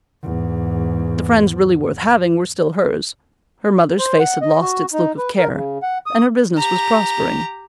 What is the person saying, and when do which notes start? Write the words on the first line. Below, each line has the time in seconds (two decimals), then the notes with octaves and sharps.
The friends really worth having were still hers, her mother's face had lost its look of care, and her business was prospering.
0.23 E2 G#2
3.99 C5
4.20 F#5
4.42 D#5
4.61 F#4
4.93 D#4
5.18 B4
5.38 A#4
5.53 C#3
5.83 F#5
6.06 D#6
6.58 G4 A#5